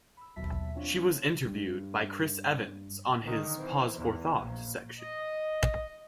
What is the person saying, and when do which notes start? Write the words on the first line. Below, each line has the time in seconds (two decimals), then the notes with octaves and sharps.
She was interviewed by Chris Evans on his "Pause for Thought" section.
0.17 B5 E6
0.36 D#2 B2 F#3 E5 A5 B6
0.75 C4 D4 F4 C#5
1.46 G2
3.21 D3 D#3
3.57 E3 C4
3.94 E2
4.37 A#1 A#2
4.99 D#5